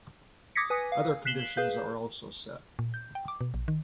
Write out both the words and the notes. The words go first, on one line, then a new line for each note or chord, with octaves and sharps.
Other conditions are also set.
D6 D#6 G#6 A#6 B6 C#7
B4 G#5 D#6
F5
F#6 B6 C7 E7 F#7 G7
G#4 B4 F5 G6
A#2
G6
G5
D6
B2
A#1
D#3